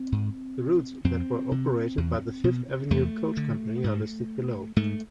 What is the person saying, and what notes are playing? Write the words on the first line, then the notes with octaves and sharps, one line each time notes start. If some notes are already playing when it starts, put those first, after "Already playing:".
The routes that were operated by the Fifth Avenue Coach Company are listed below.
Already playing: C4
G#2
F2 C4
C3
E2
B2
E2 A3
D3
G#2
G#2 A3